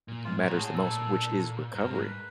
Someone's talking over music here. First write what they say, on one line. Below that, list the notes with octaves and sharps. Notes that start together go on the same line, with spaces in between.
matters the most, which is recovery.
A#2
G#2 F4
A#2 F#4
A2 G#4
A#2 A4
G2 A#4
G#2 A#4
B4